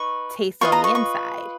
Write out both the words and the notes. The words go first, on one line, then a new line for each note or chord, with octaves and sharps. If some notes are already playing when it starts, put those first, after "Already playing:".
taste on the inside."
Already playing: D#4 B4 C#6
F4 B4 D#5 C#6
A#5
C#6
C#6